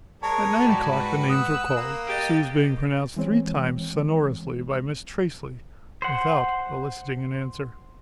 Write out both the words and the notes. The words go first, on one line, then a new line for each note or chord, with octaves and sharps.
At nine o'clock the names were called, Sue's being pronounced three times sonorously by Miss Traceley without eliciting an answer.
G#3 A#4 C#5 A5
G#2 G3 F#4 B5
B4 F#5
D#6 E6 F#6
A#3
G4 D#5 A6 D7
E3 G#3 C4 C#5
C5 F#5